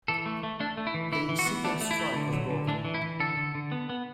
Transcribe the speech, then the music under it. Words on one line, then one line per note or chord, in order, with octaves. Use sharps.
The incipient strike was broken.
E3 A4
A3
A3
A3 D4
A3
E4
E3
E3 E4
E3
F#4
B3
A3 D4
A3
E4
A3
D3
F#3
D3
E3 D4
E3
E4
E3
D3 A4
D3
D3
B3
B3